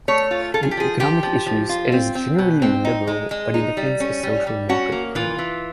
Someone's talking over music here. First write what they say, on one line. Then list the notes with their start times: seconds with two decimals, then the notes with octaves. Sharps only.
In economic issues, it is generally liberal, but it defends a social market economy.
0.08 A3 C#5
0.31 F4
0.54 F4 A4
0.63 G#4
0.71 G4
0.77 F3 G#4
0.99 F3 G4
1.23 F3
1.46 F3
1.69 F4
1.92 C4
2.15 C4
2.39 B2
2.62 C4
2.85 D#4
3.07 G#3
3.31 G#3
3.54 D#4
3.77 G3
4.00 C#4
4.23 G3
4.47 G3
4.69 C#4 F#4
4.92 A#3
5.15 E3 F4
5.38 E3